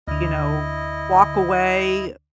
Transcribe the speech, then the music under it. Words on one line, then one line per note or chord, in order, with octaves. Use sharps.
you know, walk away,"
D2 D3 E4 D#5